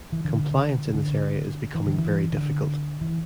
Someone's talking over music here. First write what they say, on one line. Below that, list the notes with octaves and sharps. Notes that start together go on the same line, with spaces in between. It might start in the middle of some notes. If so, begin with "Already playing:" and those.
Compliance in this area is becoming very difficult.
E3
D3
C#3
D3
E3
D3
E3
D3
E3